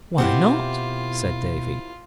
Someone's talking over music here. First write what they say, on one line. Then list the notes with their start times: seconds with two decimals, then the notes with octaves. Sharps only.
"Why not?" said Davy.
0.18 B2 C4 E4 F4 G4 A#4 F#5